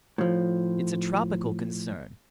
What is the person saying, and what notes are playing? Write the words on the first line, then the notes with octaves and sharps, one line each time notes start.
It's a tropical concern.
A2 F3